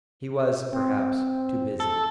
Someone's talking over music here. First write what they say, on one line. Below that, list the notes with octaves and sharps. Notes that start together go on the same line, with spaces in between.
He was, perhaps, too busy.
C4
A4